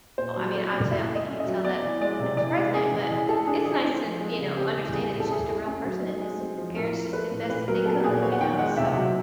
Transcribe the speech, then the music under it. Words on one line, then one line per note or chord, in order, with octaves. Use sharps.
I mean, obviously I don't think he'd tell that story when he was president, but it's nice to, you know, understand that he's just a real person and his parents just did the best that they could, you know? So
A#2 C5
F#3
A3 D5
A#2
E4 E5
A3
D#5
C#4
D#5
F#3
B3 D5
E3
G#3 D5
C3
E3 D5
G#3
C#4 G#4
E3
E3 G#4
A3 A4
D4 G#4
E3 G#4
C4
F3
G#3
C#3
C4 G4
E3
G3 G#4
A2
A4
E4 G#4
A3
C#4
F#3
D#4
G#3
C4
F3
A2 A#4
F3
A3 B4
A2
A#2 B4
F#3 A#4
B3 A4
A#2 G#4
B3 C#5
F#5
D#3 G5
G#3 F#5
C3 E5
F#3